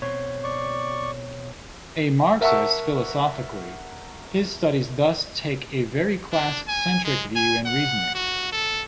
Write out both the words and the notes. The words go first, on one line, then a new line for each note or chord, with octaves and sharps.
A Marxist philosophically, his studies thus take a very class-centric view and reasoning.
B2 C4 C#5
D5 C#6
A#4 E5 F#5 A5 C#6 E6
D4
G#5
G#3
G#5
F#5
F#4
A4